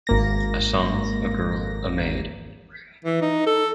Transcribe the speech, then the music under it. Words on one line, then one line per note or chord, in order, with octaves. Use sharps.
A song, a girl, a maid.
G#1 A#3 A#6
E3
D#4
A4